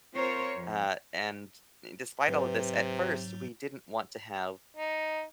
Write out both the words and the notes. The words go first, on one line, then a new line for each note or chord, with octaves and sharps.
uh, and despite all of this, at first we didn't want to have
C4 F4 A#4 C5 C#5
F2
G#2 C3 F#3 B4
D#4